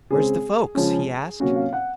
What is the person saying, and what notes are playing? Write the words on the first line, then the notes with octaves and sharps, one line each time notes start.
"Where's the folks?" he asked.
C#3 G#3 C4 G#4
C#3 F3 G#3 C#4
C3 F#3 A#3 C#4 F#4
F5
F#5